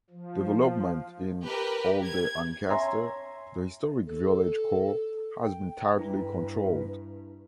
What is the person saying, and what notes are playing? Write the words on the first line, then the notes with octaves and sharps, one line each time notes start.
Development in "Olde Ancaster", the historic village core, has been tightly controlled.
F3
G4 A#4 B4
G#6
C#5 E5 G#5 A#5 C6
A4
G5
G2 D4 E4 B4 A#5